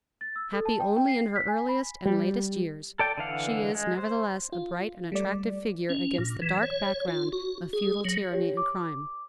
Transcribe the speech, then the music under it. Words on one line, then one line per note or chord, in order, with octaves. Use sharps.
Happy only in her earliest and latest years, she is, nevertheless, a bright and attractive figure against the dark background of feudal tyranny and crime.
A6
E6
A4
A5
G5
G5
C7
B6
G#5
B5
G3
A4 D5 G5
D3 E3 F5 F#5
G#3
C5
F4
G3 A3 D5
C#4
A#2
E3
C#5
F4
F#4
G#4
F#3
G4 C#5
D6